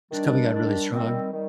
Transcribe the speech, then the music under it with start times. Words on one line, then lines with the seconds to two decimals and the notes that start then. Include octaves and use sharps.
It's coming on really strong?
0.11 D#3 G3 D4
0.50 D#3 G3 D4
0.91 D#3 G3 C4
1.31 D#3 G3